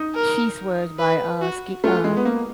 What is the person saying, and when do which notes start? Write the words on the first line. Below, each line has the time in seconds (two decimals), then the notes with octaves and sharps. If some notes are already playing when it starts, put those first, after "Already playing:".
she swears by, uh, ski uh,
Already playing: D#4
0.15 A#4
0.99 B4
1.41 F#4
1.84 A3 F4
2.04 G#3
2.17 B3
2.25 A#3